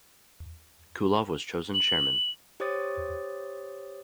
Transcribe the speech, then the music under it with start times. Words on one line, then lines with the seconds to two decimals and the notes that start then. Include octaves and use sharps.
Kulov was chosen Chairman.
1.74 F#7
2.60 G4 C5 C#5 D6 D#6 A6